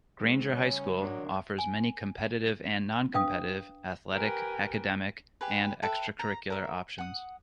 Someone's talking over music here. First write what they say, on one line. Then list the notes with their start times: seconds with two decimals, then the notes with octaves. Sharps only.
Granger High School offers many competitive and non-competitive athletic, academic, and extra-curricular options.
0.20 D#3 G#3 C4
0.52 C#3 G3 C#4
1.01 F#3 D4 A#4
1.59 G#5
3.14 D4 B4 F5 G5 D#6
4.12 G4 A#4 B4 G5 G#5
5.41 G4 G#4 B4
5.82 A4 B4 E5 G5
6.19 A#5
6.50 A#4 E5
6.98 F#5 D#6